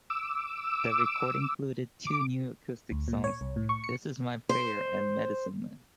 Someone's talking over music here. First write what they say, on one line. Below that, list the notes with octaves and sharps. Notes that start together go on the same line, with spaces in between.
The record included two new acoustic songs, "This Is My Prayer" and "Medicine Man".
D6 E6
D6
D2
A#2
C#5
C2
A2
C#6
C#7
C5